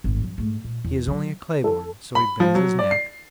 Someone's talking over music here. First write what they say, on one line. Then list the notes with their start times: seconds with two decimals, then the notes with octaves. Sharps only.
He is only a clay-born; so he bends his neck.
0.04 G#1 A2
0.22 F#2 F3
0.38 G#2 A3
0.64 A#2
0.84 E2
1.07 D3 F#3
1.64 A4
2.15 B5
2.40 F3
2.55 F#3
2.79 D5
2.91 C7